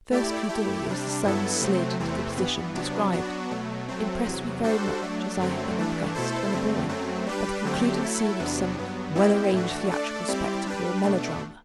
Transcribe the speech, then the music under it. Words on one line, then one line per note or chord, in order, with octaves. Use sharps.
The first coup d'oeil, as the sun slid into the position described, impressed me very much as I have been impressed, when a boy, by the concluding scene of some well-arranged theatrical spectacle or melodrama.
A3 E4 G4 D5
A3 E4 G4
C3 G3 D4
G2 F#3 B3 E4 A4
C3 F#3 A3 C4
E2 C3 E3 A3 C4
G2 E3 B3
C3 F#3 B3 D4
F#3 B3 D4 F#4
B2 F#3 A3
F#3 A3 C4
E2 C3 F#3
G3 D4 F#4 A4 C5
F#3 A3 D4
F#2 D3 F#3 A3 C4
G2 E3 A3 D4
B2 A3 E4 A4 C5
G2 D3 A3 C4
F#2 F#3 A3 C4
G3 D4 G4 B4
D3 F#3 A3 C4 G4
F#3 A3 E4 A4
E2 C3 F#3 B3 D4
G2 F#3 B3
B2 G3 C4 E4 G4
A2 E3 A3 D4 F#4
A3 D4 A4 D5
G3 C4 E4 G4 D5
G3 D4 G4 B4
B2 A3 D4